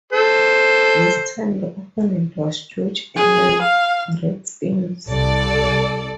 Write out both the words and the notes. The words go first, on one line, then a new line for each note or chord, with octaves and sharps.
This time, the opponent was George Allen's Redskins.
A4 C5
G#4
F5
C2 A4 D5